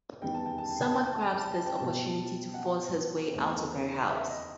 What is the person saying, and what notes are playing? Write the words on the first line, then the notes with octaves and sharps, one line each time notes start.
Samar grabs this opportunity to force his way out of her house.
E2 D#3 G3 B3 G5
A5
G5
A5
G5
A5
G5
A5
G5
A5
G5
A5
G5
B2 G3 C4 A5
G5
F#5
E2 D#3 A3 C4
E5
D#5